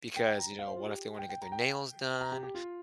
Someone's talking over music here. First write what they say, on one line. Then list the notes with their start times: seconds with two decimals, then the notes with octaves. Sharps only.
because, you know, what if they wanna get their nails done?
0.16 G5
0.27 G5
0.39 A#5
0.59 F5
0.67 C5
0.76 F4
0.85 G4
1.18 G5
1.29 G5
1.42 A#5
1.52 G5
2.21 A#5
2.32 G4
2.43 G4
2.55 F4